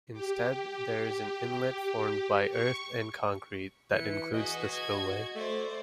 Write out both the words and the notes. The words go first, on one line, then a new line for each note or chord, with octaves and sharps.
Instead, there is an inlet formed by earth and concrete, that includes the spillway.
G4
C#6
E3 C#7
F#4 G#4 B4 D#5
G#6
A3 C5 D5